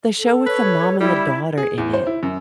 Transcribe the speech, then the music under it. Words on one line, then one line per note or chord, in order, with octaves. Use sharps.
the show with the mom and the daughter in it.
A4
B4 C#5
G3 E4
G#4
E2
C5
E4
F#2